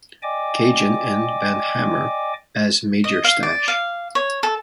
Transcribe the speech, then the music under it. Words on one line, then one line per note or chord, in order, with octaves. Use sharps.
Cajun, and Van Hammer as Major Stash.
D5 D#5 G5 G#5 D6
D#5
F5
D5
F5
C#5
A4